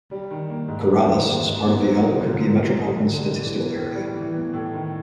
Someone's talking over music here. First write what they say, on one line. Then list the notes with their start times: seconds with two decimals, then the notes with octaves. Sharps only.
Corrales is part of the Albuquerque Metropolitan Statistical Area.
0.11 G3
0.31 D#3
0.49 A#3
0.68 G#2
0.88 G3
1.06 D#3
1.27 A#3
1.46 G#2
1.65 B3
1.83 F#3
2.03 D#4
2.22 D3
2.41 B3
2.61 F#3
2.80 D#4
3.00 D3
3.18 G3
3.39 E3
3.57 B3
3.76 A2
3.95 G3
4.15 E3
4.34 B3
4.54 A2
4.73 D#3